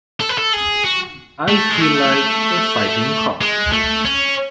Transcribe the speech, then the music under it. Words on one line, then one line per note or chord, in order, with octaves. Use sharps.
I feel like a fighting cock.
A4
B4
A4
G#4
F#4
A3
G#3
A3
G#3
A3
C#4